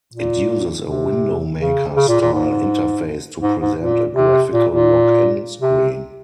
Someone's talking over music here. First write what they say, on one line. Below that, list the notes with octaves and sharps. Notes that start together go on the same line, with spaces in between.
It uses a Window Maker-style interface to present a graphical login screen.
A#2
C3
C#3
C#3
A#2
A#2
G#2
G#2
G#2
A#2
C3
A#2
A#2
C3